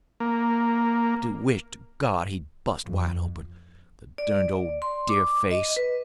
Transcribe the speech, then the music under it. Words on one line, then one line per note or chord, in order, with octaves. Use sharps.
I do wish to God he'd bust wide open, the durned old deer-face!
A#3
F2
D5
C6
D6
D#5
B4